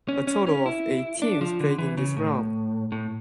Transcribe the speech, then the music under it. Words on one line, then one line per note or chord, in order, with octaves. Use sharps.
A total of eight teams played in this round.
C#4
C#4
C#4
E4
D4
F3
D3
E3
C#3
A2
A2